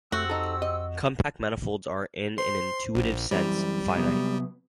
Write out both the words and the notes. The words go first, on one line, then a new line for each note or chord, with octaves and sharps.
Compact manifolds are, in an intuitive sense, "finite".
F2 A3 C4 F#4 G4 E6
D#4 A4
D#5
C5 C6
A#1
F#2 E3 G3 C4
C3 F#3 B3